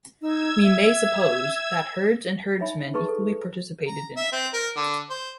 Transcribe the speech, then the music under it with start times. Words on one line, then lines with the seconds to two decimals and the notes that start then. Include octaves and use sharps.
We may suppose that herds and herdsmen equally participated in it.
0.22 D#4 E6 G#6
0.63 E5
2.60 D4 D#4 C#5 E5 G#5 B5
2.94 D#4 G#4 B4 A5 C6 C#6
3.08 A4
3.88 A#5
4.17 E5
4.33 C4
4.54 A#4
4.77 D3
5.10 C5